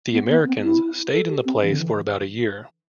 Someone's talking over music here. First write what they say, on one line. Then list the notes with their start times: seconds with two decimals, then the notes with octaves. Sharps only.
The Americans stayed in the place for about a year.
0.12 B3
0.30 B3
0.46 C4
0.63 E4
1.13 A4
1.29 G4
1.45 C4
1.63 E3
1.71 D3
1.79 E3